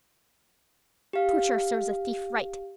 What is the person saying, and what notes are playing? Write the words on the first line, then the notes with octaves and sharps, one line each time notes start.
Torture serves a thief right.
G4 F5